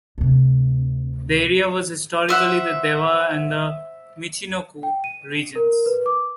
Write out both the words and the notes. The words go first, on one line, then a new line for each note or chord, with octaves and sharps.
The area was historically the Dewa and the Michinoku regions.
D2 C3
C5 E5 F#5
G5
D#7
A#4
B4
D6